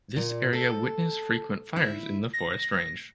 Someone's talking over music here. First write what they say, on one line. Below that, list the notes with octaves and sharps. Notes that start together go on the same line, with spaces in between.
This area witness frequent fires in the forest range.
A#2
A4
E4
A#6